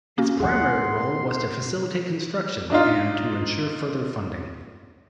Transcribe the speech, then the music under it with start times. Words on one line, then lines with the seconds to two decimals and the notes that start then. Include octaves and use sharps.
Its primary role was to facilitate construction, and to ensure further funding.
0.18 A#3 C#4 F#4
0.40 G#4 F#5 C6
2.70 D4 D#4 F4